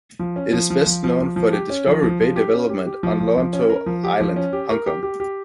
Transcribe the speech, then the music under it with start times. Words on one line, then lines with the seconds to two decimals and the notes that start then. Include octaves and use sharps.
It is best known for the Discovery Bay development, on Lantau Island, Hong Kong.
0.19 F3
0.36 C#4
0.53 F3
0.70 F3
0.86 F3
1.04 F3
1.20 F3
1.36 F3
1.53 G4
1.70 C#4
1.87 F3
2.03 F3
2.20 F3
2.36 G4
2.53 C#4
2.70 G4
2.86 G4
3.03 F3
3.20 F3
3.37 F3
3.53 C#4
3.70 A#4
3.86 F3
4.04 G4
4.20 F3
4.36 C#4
4.53 G4
4.70 A#4
4.86 G4
5.03 G4
5.20 G4